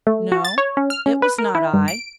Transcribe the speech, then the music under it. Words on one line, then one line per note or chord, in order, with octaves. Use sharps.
"No, it was not I."
A3
F#4
A6
C#5
C#4
F6
C#4
B4
A#4
E4
G2
D7